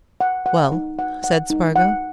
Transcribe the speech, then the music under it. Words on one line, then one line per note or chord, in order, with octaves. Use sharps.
"Well?" said Spargo.
F#5
F#5
D#4
F#5
F#5
D#4
F#5